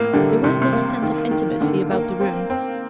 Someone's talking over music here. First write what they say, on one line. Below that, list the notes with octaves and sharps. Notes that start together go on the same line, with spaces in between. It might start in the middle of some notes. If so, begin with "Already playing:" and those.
There was no sense of intimacy about the room.
Already playing: A2 A#3
D3 G3
C3 G3
C3
A#3
D#3
D#3
D3 D#3
A#3
C4
C4